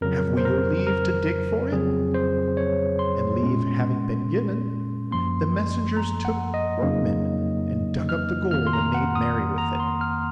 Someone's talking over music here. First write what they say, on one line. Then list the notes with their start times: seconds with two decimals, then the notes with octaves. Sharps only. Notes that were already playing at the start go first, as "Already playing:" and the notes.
Have we your leave to dig for it?' And leave having been given, the messengers took workmen and dug up the gold and made merry with it.
0.01 F2 C#3 F#3 A#4
0.37 C5
0.45 A#4
0.87 A#4
1.72 F2 C#3 F#3 C4 G#4
2.15 C5
2.57 C#5
2.99 C6
3.42 A#2 G#3 C#4
5.11 F#2 F3 A#3 C6
5.97 A#5
6.25 F#5
6.54 D#5
6.81 F2 C#3 F#3 A#3 D#4
8.09 F6
8.51 F2 D#3 A#3 F6
8.67 C6
8.73 A#5
8.94 F#5
9.15 D#6
9.58 A#5
9.80 C6
10.01 F6